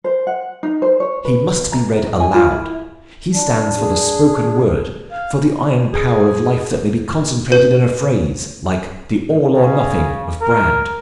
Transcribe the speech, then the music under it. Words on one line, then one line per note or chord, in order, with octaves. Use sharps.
He must be read aloud. He stands for the spoken word, for the iron power of life that may be concentrated in a phrase like the "All or nothing" of Brand.
C5
F#5
D#4
C5
C#5
B4
A#5
D#5
G#5
F4
E4
D4
G#4
F5
G#4
B4
C#3
A#4